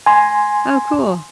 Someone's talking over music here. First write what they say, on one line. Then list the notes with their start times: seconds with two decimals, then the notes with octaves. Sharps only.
Oh, cool.
0.06 G#5 C6